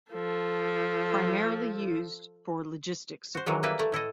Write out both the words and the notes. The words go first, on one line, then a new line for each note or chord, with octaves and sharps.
Primarily used for logistic support.
F3 A4
F#4 C5
D#3 E3 F#3 G#3
E3 G3 A#3 E4 B4
A3 E4
A2 E4 A4 D#5